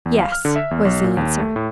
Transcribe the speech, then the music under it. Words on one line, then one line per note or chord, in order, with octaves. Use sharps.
"Yes," was the answer.
E2
F5
F6
D3
E5
E2
B1
A#2
D#2
A3
A2